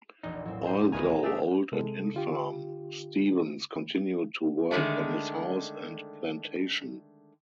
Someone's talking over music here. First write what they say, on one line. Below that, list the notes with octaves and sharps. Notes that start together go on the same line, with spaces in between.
Although old and infirm, Stephens continued to work on his house and plantation.
E1 A#1 A#2 D#4
A2 F#3 C4
G4 C5
D2 D#3 B4 G#5 A#5 D#7
A3 D4 G4 G#4 E6
C3 G#3 A4
D3 F4 G4
D3 D#3 F3 G#3 A3